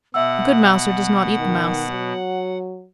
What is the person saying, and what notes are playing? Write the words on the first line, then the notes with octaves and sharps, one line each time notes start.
A good mouser does not eat the mouse.
B2 E5 F#5 E6
D#3
F#3